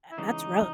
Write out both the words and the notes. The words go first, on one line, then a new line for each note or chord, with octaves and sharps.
ah, that's rough,
E4
C#3 E3 G#3 D#4